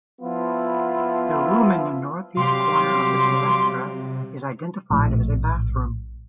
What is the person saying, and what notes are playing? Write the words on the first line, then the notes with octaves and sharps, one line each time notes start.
The room in the northeast corner of the palaestra is identified as a bathroom.
F3 B3 E4 F4
C3 F#3 G3 C4 G4 F5 C6
A#1 A2